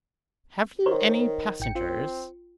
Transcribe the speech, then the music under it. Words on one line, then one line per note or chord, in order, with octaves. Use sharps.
"Have you any passengers?"
D#3 A#4 C5 C#5
A1 G5 C#7
C4 F4